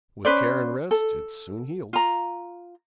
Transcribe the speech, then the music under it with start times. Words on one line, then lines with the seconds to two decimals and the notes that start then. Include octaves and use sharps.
With care and rest, it soon healed.
0.25 C#4 B4 C5 D5
0.91 A4
1.93 F4 A#5